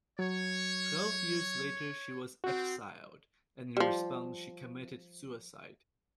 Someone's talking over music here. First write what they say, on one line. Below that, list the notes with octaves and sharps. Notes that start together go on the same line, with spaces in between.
Twelve years later she was exiled, and in response she committed suicide.
F#3 C#5
C4 F#4
F3 G3